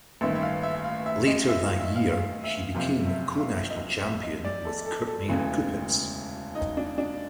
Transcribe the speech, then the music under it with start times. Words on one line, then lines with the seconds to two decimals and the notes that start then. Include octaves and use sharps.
Later that year, she became co-national champion with Courtney Kupets.
0.21 A1 G2 D#3 E5
0.35 E5
0.42 F5
0.63 E5
0.84 F5
1.06 E5
1.27 D#5
1.49 E5
1.65 F5
1.80 E5
1.96 F5
2.12 F5
2.44 E5
2.75 F#1 F2 C3 F5
3.07 E5
3.38 F5
3.70 D#5
4.02 E5
4.23 D#5
4.45 D5
4.65 A4
4.86 A4
5.08 A4
5.28 E1 D2 C#3 E3
6.55 D#4
6.77 D4
6.98 D4